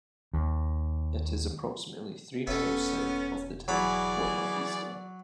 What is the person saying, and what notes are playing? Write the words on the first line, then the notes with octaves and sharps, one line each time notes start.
It is approximately three miles south of the town of Buena Vista.
D#2
E1 B3 C#4 A4 E5
E3 F#3 G#4 D5 B5